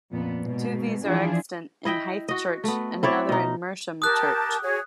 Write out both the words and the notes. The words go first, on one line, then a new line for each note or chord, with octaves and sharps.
Two of these are extant in Hythe church, and another in Mersham church.
F2 A#2 B3
G#2 B2
E3 F3 D4 E4 F4 G#4
E4 D#5 E5 G5
F#4 D#5
A3 B3
C4 E4 C#5 D5
B2 D#4
G4 A#4 A5 D#6 F#6
F#4 G#4 C#5